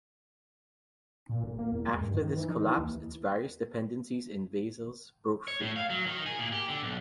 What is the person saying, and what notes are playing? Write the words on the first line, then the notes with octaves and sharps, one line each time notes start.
After this collapse, its various dependencies and vassals broke free.
A#2
D#1
A#3
E2
G#3
G2
D#3
E3
D#4
E3
D#2
C#5
A2
F5
F#3
D#3
G#4
A#2
G4
D3
B1